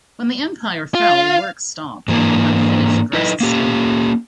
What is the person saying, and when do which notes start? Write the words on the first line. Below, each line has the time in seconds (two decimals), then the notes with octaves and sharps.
When the Empire fell, work stopped, leaving unfinished dressed stonework.
0.95 F4 F5
2.08 G#2 E3 A#3 D4
3.13 D#4 E4 B4 D#5
3.41 A#3 C#4 G4